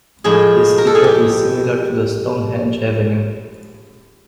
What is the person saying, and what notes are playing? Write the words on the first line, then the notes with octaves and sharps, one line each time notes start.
This feature is similar to the Stonehenge Avenue.
A2 F3 G#3 G#4
A#4
A4
G#4
G4